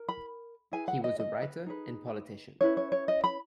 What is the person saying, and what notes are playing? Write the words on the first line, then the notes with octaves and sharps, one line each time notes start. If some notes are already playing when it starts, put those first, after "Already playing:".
He was a writer and politician.
Already playing: A#4
B5
E4 G#4 B4 G#5
F#5
D#5
D#5
B4
D#4 G#4 B4
C#4 E4 B4 C#5
C#5
C#5
D#5
B5